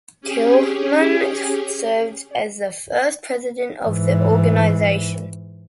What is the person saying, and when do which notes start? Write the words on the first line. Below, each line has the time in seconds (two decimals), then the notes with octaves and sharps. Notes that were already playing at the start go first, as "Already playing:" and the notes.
Tilghman served as the first president of the organization.
0.21 C#4 G4 G#4
3.85 G#2 E3